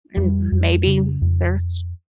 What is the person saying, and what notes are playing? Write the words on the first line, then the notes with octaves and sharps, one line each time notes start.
And maybe there's
F2 G3
F2
C#3
F2